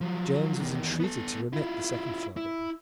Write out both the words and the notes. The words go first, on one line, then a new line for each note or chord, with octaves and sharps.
James was entreated to remit the second flogging.
F3 F#3
E2 D#3
B3 A4
E4 F4
E4